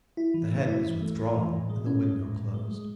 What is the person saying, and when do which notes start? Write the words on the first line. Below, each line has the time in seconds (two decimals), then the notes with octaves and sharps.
The head was withdrawn and the window closed.
0.17 E4
0.34 E3
0.51 A3
0.68 E4
0.85 E3
1.02 A3
1.19 A3
1.35 E3
1.53 A2
1.69 G#3
1.86 C#4
2.03 G#3
2.20 A2
2.37 A2
2.54 G#3
2.71 G#3